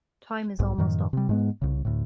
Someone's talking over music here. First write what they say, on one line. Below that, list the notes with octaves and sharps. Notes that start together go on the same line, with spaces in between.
Time is almost up.
B1 G#2
F#2 A2 D#3 F3
C3 G3
G#2 G#3 B3
C2 C#3
D2 A2